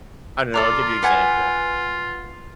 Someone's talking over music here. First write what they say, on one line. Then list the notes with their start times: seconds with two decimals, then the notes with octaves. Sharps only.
I don't know, I'll give you example.
0.54 F4 A4 D5 A#5
1.03 B4 F#5 G#5